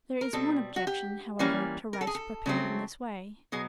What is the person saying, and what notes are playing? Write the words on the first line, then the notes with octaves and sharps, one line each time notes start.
There is one objection, however, to rice prepared in this way.
A#4
B2 G3 C4 A4
F#4
G4
E3 G3 A#3 C#4
A#4
A4
G#4
A4
C#3 F#3 A3 C4
B2 F#3 G#4